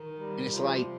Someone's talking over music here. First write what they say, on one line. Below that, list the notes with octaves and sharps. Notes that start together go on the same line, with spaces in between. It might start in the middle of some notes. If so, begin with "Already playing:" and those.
And it's like
Already playing: D#3 A#4
G3
C3 F3